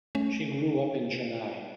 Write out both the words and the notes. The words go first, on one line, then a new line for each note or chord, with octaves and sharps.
She grew up in Chennai.
A3 C#4